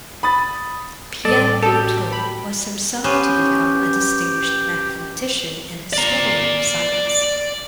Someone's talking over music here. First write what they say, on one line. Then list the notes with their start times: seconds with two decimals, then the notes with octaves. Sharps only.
Pierre Boutroux was himself to become a distinguished mathematician and historian of science.
0.23 B5 D#6 A6
1.25 A1 G3 A4 D5
1.63 F#4 G4 A4 A5
2.12 B5
3.04 B3 C#4 G4 C5
5.93 D5 A#5